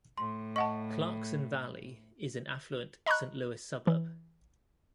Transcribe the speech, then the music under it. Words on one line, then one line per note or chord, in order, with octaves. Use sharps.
Clarkson Valley is an affluent Saint Louis suburb.
A2 C6
D#5 F#5 A5 C#6
D#5 A#5 B5 C#6 F#6
E3